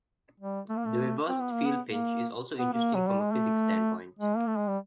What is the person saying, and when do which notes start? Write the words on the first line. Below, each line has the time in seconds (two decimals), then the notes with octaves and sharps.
The Reversed Field Pinch is also interesting from a physics standpoint.
0.40 G3
0.69 A3
0.77 A#3
0.85 A3
1.28 C4
1.40 B3
1.53 A#3
1.66 B3
1.86 A#3
2.59 B3
2.73 A#3
2.95 F#3
3.07 G3
3.20 G#3
3.32 A3
4.19 G#3
4.36 A#3
4.47 A3
4.57 G#3
4.68 G3